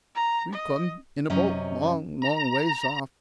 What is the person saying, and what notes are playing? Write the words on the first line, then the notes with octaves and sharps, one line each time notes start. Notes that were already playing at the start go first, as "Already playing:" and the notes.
We've come in a boat, long, long ways off.
A#5
D#5
F#2 C3 C#4 D#5 A#5
A#5